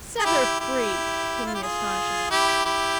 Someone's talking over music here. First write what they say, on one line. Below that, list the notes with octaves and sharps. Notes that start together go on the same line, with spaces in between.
"Set her free," came the astonishing answer.
G#4
E4 G4
E4 G4
F4
G4
F4 G#4
E4 G4
E4 G4